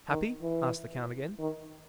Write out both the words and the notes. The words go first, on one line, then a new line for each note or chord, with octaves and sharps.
"Happy?" asked the count again.
D#3
E3
D#3